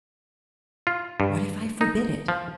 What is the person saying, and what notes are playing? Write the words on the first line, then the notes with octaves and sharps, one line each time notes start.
"What if I forbid it?"
F4
G2
D#4
F3